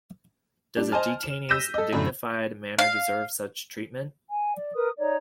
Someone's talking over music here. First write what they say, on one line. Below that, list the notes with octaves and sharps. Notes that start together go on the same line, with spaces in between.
Does a detainee's dignified manner deserve such treatment?
G3 D4
C5 D#5 G#5 A5 F6
E7
E6 G6 A#6 B6 D#7 E7
A4 D#5
F#2 A2 D3
F5
G#5
D5
A#4 B4 D#6
D#4 C#5 D5